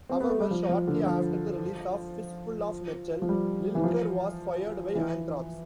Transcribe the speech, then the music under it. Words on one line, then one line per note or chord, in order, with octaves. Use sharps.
However, shortly after the release of "Fistful of Metal", Lilker was fired by Anthrax.
C4
B3
A3
G3
F3
F3
D3
F3
F3
G3
E3
F3
E3